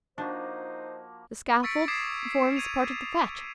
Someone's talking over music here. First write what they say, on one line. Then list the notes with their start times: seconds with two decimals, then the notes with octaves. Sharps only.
"The scaffold forms part of the fete."
0.18 F3 A#3 D4 D#4 F#4 C5
1.63 C#6 E6 A6 B6 C#7 D7
1.88 D6 D#6 G#6 B6 C7 E7
2.56 G#6 D#7 F7